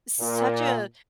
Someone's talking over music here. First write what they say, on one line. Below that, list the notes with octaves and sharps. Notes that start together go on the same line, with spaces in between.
such a
A#2